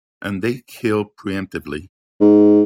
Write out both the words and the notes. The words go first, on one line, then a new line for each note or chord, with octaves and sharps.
And they kill pre-emptively.
G#2